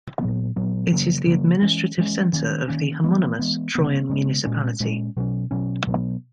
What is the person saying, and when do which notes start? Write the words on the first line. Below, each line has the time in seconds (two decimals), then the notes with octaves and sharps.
It is the administrative centre of the homonymous Troyan Municipality.
0.21 A#2 F#3 B3
0.56 A#2 F#3 B3
0.92 C#3 F#3 A#3
1.27 C#3 F#3 A#3
1.62 E3 G#3 C#4
1.98 E3 G#3 C#4
2.33 D#3 A#3 C#4
2.68 D#3 A#3 C#4
3.04 E3 G#3 B3
3.39 E3 G#3 B3
3.75 C#3 G#3 B3
4.10 C#3 G#3 B3
4.45 A#2 G#3 C#4
4.80 A#2 G#3 C#4
5.17 B2 F#3 C#4
5.51 B2 F#3 C#4
5.87 B2 F#3 B3